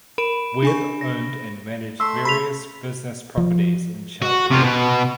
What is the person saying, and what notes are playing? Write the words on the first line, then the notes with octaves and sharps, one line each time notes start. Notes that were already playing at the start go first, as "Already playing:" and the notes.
Webb owned and managed various business properties in Shelby.
A#4 B5 D7 E7
D4 G#5 C#6
A#6
A3 E5 C6 E6
B5 B6 F7
F3
F#4
C3 F4
B2